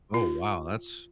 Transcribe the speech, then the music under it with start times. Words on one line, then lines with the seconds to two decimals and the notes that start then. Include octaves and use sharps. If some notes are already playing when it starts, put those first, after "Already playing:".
Oh, wow. That's
0.14 F4